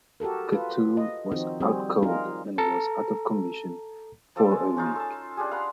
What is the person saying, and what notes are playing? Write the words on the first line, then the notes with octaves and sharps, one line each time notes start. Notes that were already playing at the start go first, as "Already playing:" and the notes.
Coutu was out cold and was out of commission for a week.
F#4 G4 A4 A#4
F4 B4
D#5
D#3 F3 C4 D#4 F#4
G3 C4 F#4 G#4
D#4 F4 G#4 A#4
A4 A5 A#5
F3 A4 D5
G#3
C#4 D#4 F4
A4 A5
D4 F4 G4 G#4
F5 F#5 B5 C6